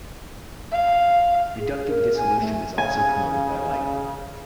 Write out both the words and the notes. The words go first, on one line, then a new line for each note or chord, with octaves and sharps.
Reductive dissolution is also promoted by light.
F5
G#4
A#4
G#5
A3
C#3 G#5